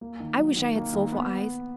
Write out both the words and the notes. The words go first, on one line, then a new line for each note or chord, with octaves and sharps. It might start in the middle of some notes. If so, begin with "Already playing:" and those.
I wish I had soulful eyes.
A#3
D#3
F#3
D#3
A#3
D#3
B3